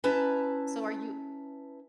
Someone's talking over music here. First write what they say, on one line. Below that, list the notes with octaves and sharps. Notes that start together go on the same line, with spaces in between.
so are you
C#4 E4 B4 A5 A#5